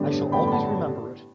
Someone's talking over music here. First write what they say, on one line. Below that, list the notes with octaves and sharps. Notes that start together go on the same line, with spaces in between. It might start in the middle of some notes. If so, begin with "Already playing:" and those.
I shall always remember it.
Already playing: A1 G2 D3 G3 B3
A1 G2 D3 G3 B3 G5 B5
B5
F#5 A5